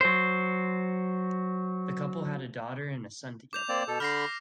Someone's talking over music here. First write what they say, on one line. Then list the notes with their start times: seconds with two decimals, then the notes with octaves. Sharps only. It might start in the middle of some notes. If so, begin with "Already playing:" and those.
The couple had a daughter and a son together.
0.01 F#3 C5
3.53 D6 G6 F7
3.69 A#3 C4 D5
3.88 B2 A4
4.00 D3 B5 F6 A#6 C7